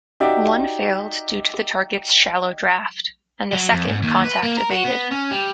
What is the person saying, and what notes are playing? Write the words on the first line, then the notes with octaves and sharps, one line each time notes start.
One failed due to the target's shallow draft; and the second contact evaded.
D#4 F#4 G4 D5 E5
F#3
F2
G#2
D#2
B4
A#3
A#4
F#4
B3
C#4
G3